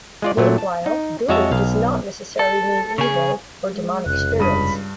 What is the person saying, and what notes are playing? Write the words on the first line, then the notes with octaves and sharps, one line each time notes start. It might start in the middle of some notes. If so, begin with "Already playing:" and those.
Meanwhile, "gui" does not necessarily mean 'evil' or demonic spirits.
G#3 F4 D5
A#2 F#3 A3
A5
D#4
F2 G#3 F#4 C#5 E5 A5
B1 F5
A4
C#3 G#4
G#3
F1 C#2 F#6
G2 B5 D#6 D#7